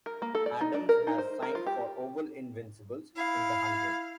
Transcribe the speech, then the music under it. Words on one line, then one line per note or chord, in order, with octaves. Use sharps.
Adams has signed for Oval Invincibles in The Hundred.
A#4
A#3
A4
D5
D#4
D4
A#4
D#4
C5
A#4
F4
G4
E4 F5